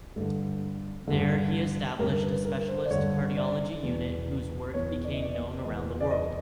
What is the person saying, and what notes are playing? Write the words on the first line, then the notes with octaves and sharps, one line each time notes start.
There he established a specialist cardiology unit whose work became known around the world.
G2 D3 A4
G2 D3
G2 D3 A#4
B4
A#4
C5
D5
G2 D3 C#5
D5
E2 B2
E2 B2 C#5
D5
D#5
D5
D#5
E2 B2 D#5
D5
D#5